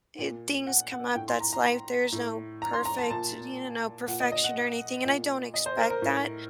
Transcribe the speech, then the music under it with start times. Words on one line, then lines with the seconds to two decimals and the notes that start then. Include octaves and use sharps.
eh, things come up, that's life, there's no perfect, you know, perfection or anything, and I don't expect that,
0.19 A#2
0.67 F#5
0.92 F#5
1.15 A2 G5
1.28 C6
1.40 A#5
1.53 A#5
2.12 A2
2.62 A#5
2.73 C6
2.85 A#5
2.99 A5
3.10 A#2 A5
4.07 A#2 F#5
4.20 D#5
4.32 D#5
4.44 F#5
5.05 A#2
5.54 D#5
5.66 C5
5.78 A#4
5.90 A#4
6.02 A2